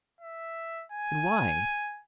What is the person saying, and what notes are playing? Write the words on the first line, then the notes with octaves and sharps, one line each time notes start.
And why?
E5
G#5